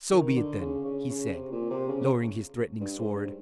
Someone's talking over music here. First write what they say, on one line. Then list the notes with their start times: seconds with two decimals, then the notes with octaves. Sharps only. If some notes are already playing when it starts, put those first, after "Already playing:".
"So be it then," he said, lowering his threatening sword.
0.12 D#3
0.36 D3
0.61 C#3
0.85 C#3
1.10 C#3
1.34 C3
1.52 A#2
1.70 C3
1.89 C#3
2.81 G2
2.99 G#2
3.16 G2